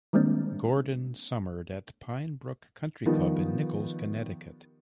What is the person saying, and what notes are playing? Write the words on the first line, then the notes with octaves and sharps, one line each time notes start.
Gordon summered at Pine Brook Country Club in Nichols, Connecticut.
D#3 G3 G#3 A#3 C4 D4
D#3 F3 G3 B3 D#4